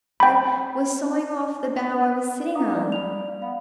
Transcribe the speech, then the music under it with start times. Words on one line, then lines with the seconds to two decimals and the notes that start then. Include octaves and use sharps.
I was sawing off the bough I was sitting on.
0.20 G5 B5
2.55 D#4 F5 D6 D#6
2.75 C2 D5
2.92 G3 F7
3.42 B3 F5